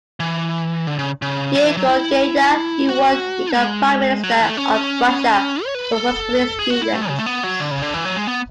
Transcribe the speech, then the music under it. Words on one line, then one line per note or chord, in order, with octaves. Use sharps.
Yegor Gaidar, who would become Prime Minister of Russia, was one of his students.
E3
D3
C#3
C#3
F#3
E3
F#3
E4
F#4
G#3
F#3
G#3
E3
A3
C#4
C#5
B4
A4
G#4
F#4
E4
A3
G#3
C#3
A3
B3
F#3
D3
C#3
D3
E3
F#3
G#3
B3